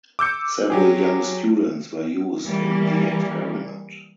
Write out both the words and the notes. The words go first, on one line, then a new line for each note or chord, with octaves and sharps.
Several young students were used in the experiment.
D6 E6 G6 C#7
F#3 G4 G#4
E3 G3 A#3